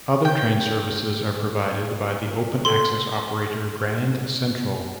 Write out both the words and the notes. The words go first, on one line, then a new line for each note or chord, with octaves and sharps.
Other train services are provided by the open-access operator Grand Central.
G5
A4 C6